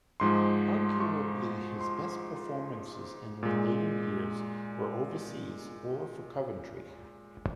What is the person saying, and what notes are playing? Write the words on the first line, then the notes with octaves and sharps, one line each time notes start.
Arguably his best performances in later years were overseas or for Coventry.
G#2 F3 G#3 C6
C6
C#6
C6
A#2 G#3